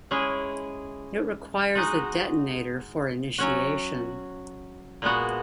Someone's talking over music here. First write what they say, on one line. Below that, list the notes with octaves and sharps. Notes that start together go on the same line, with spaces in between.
It requires a detonator for initiation.
G#3 C#4 E4 G#4
G#3 D#4 F#4
F#3 C#4 F#4
A#2 G#3 B3 F#4